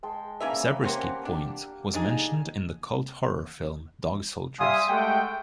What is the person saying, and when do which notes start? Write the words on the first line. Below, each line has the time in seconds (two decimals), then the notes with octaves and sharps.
Zabriskie Point was mentioned in the cult horror film "Dog Soldiers".
0.03 G#3 G5 A5
0.40 E3 A#3 C#4 D5 E5 A#5
0.84 A#3 C4 C#4 G4 F#5 G5
1.25 D4
1.94 D4 D#4 G#4
4.59 G3 E5 F5 G#5 C6 D#6
4.89 G#3 A3 G4 F#5 G5